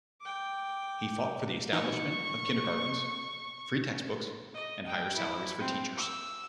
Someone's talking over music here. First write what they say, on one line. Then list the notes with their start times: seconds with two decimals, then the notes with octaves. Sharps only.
He fought for the establishment of kindergartens, free textbooks, and higher salaries for teachers.
0.21 G5 D6
1.73 E3 D#4 C#6
4.54 D#5
4.87 G5
5.16 E4
5.59 C4
5.97 E6